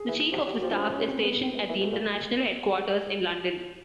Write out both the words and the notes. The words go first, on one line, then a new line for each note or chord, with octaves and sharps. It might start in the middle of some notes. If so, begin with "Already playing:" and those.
The Chief of the Staff is stationed at International Headquarters in London.
Already playing: G#4
E3
F3 G4
F#3 G4
F#4
F3 G4
D4
C#4
C#4
C4
B3
C4
B3
E3 A#3
B2
A3
A#2
A#3